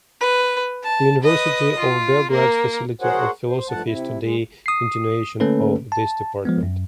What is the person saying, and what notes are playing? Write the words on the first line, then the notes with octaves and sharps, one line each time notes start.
The University of Belgrade's Faculty of Philosophy is today's continuation of this department.
B4
A5
B4 D#5
F4
A#3 A#4
F#4 G#4 A#4 C5 C#5 F#5
C5
G2 D3 F3 A3 F#5 A5
C3 E4
G#3
D#6 C7
D3 A3 A#3 C#4 A4 B4
A5
F3 G#3 B3
F#2